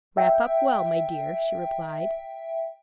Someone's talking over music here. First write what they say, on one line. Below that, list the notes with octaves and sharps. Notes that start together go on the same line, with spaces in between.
"Wrap up well, my dear," she replied.
E5 G5